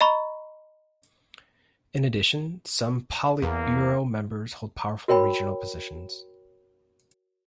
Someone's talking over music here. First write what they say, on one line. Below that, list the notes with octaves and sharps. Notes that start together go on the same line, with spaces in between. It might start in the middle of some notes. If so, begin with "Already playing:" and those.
In addition, some Politburo members hold powerful regional positions.
D#5 A#5 B5 C#6
E2 A#3
F#4 A#4 C#5 G5 B5